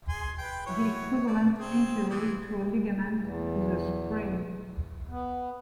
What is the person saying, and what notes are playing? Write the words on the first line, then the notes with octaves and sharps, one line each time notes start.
The equivalent injury to a ligament is a sprain.
G#4 G#5 C6
B4 G5
E4 F#4 C#5
D5
C4 G#4
E3 G#4
E2
B3